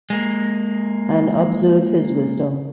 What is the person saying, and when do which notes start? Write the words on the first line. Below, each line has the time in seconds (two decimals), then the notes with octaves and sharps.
And observe his wisdom.
0.10 G#3 A#3